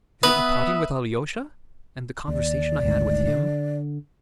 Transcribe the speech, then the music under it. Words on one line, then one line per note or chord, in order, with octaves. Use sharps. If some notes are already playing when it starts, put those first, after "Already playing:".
Is it the parting with Alyosha and the conversation I had with him?
B3 B4 E5 D#6
D#2 D5
G#1 D2 G#2
D3